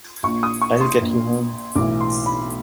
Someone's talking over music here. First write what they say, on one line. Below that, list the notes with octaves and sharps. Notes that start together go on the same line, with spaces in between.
I'll get you home.
A#1 A#2 C#6
D#6
C#6
C6
A#1 A#2
B1 A2 E3 D6
C6
B5